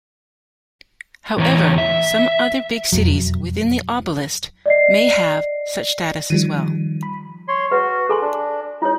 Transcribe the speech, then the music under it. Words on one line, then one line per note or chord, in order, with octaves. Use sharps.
However, some other big cities within the oblast may have such status as well.
E2 E3 C#5 A#5
E5
E1 F2 F#3
D5 D#5 C7
D#3 F3 G3 D#7
B5
C#5 C6
F#4 B4
A4 G#5 C6
D4
D#4 E4 C#5